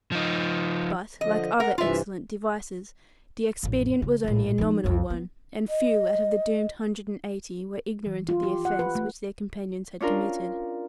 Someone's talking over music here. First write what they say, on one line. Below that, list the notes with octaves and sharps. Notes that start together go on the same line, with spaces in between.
But, like other excellent devices, the expedient was only a nominal one, and few out of the doomed hundred and eighty were ignorant of the offence which their companions had committed.
F3 D#4
D3 F3 D#5
A#4 F#5
G2 C3 E3 F4 E5
A1 F2
C#3
A#1 A2
F3 D#4
C2 F2
B3
D#5
E3
F4
G4
F#5
B4
A3
C#4 D4 F4 A#4